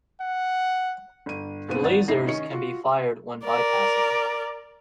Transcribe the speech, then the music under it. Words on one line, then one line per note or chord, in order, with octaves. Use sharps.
Lasers can be fired when bypassing.
F#5
G1 D#7
D#2 B2 B3 C4 D#7
G#1 D5 F#5 A6
A1 C3 D#4 E4 A#6 C7
D#3 C#4 D#5 C#7
F4 F#4
A#4 D5